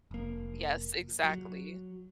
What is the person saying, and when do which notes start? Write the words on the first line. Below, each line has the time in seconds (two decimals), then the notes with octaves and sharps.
Yes, exactly.
0.11 F1 A#3
1.24 F#3